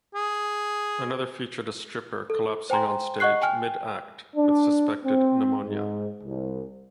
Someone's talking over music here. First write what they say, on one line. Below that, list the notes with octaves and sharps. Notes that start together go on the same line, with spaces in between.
Another featured a stripper collapsing on stage mid-act with suspected pneumonia.
G#4
A4
C5 G5 G#5 A#5 C6
D#5 F#5 C#6 F#6 C7
G5 G#5 F6
D4
C4
G#2
C2